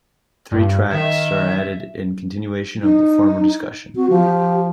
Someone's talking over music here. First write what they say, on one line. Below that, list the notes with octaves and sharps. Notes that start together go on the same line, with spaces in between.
Three tracts are added in continuation of the former discussion.
G2
D#3 E5
D#4
C4 F#4
F3 G4